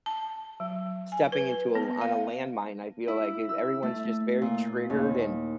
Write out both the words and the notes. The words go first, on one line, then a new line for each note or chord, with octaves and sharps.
stepping into a l on a landmine, I feel like th everyone's just very triggered, and,
A5
F#3
G#5
B4
B3
F5
E4
E6
A3
A#2
D#2